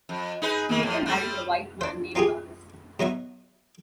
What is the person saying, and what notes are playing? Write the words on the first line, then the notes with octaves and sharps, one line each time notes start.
She later married a white man named Dorris.
F2
D#4 G#4 B4
D#3 A#3
A2 F3
G3 A3 C4
D4 C5
C4 D#4 F4 G4 G#4
B2 F#3 D#4 E5